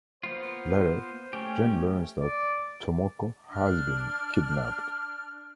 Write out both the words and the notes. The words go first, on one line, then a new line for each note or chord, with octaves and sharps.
Later, Gen learns that Tomoko has been kidnapped.
A#3 B3 F4 C5
A3 C#4 G4
D5
D4 F6